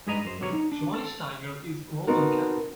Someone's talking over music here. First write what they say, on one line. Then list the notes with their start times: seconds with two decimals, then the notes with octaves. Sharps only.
Schweinsteiger is Roman Catholic.
0.07 G2 G#3 G#4 B4 D#5 A#5
0.25 F#2 C5
0.41 B1 D3 F#3 G3 C#5 A#5
0.53 D#4
0.72 D4
0.94 A4
2.07 B3 C4 D#4 F#4 A4 A#4